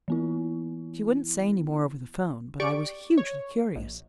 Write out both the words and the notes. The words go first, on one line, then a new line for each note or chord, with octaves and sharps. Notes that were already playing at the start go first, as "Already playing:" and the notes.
She wouldn't say any more over the phone, but I was hugely curious.
E3 B3 E4
G4 D5 C#6 D7
C#5
A#1